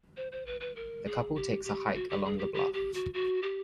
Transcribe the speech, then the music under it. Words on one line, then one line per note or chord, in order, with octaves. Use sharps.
The couple takes a hike along the bluff.
C5
C5
B4
B4
A#4
G#4
G4
G4
F#4
G4
G#4
G4
G4
G4
F#4
F#4
G4